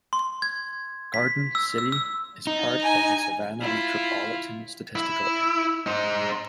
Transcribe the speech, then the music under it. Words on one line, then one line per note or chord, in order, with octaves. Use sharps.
Garden City is part of the Savannah Metropolitan Statistical Area.
C6
G#6
B6
E6
E6
E6
D#4
G#5
E4 F4
E4
D#4 C5